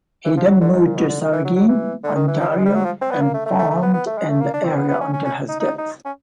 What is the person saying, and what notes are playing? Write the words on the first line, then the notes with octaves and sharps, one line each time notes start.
He then moved to Saugeen, Ontario and farmed in the area until his death.
E3
F3
F#3
D3
G#2
A#2
B2
D3
D#3
E3
F#3
F#3
E3
D3
D#3
E3
F3
G3
G#3
G3
F#3
F3
C4
B3
A#3
A3
A3
A3
A3
B3
B3
A3
G#3
A3
A#3
D4
C4
B3
B3
C#4
C#4
C#4
D#4
D#4
D#4
C#4